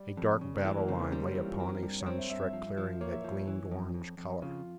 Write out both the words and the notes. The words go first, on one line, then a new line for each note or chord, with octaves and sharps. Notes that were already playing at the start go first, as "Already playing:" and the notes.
A dark battle line lay upon a sunstruck clearing that gleamed orange color.
Already playing: G3
F2
C#3
A#3
E3 G#3
A#3
C#3 C4
C4
G3 C4
C#4
E3
F4
C4 A#4
G2
C#5
C4 C5
E5
G2 E5
E5
F3
F3
A#3 C#5
E5
F3 C#5
E3
F2
F2
F2
C#3 F4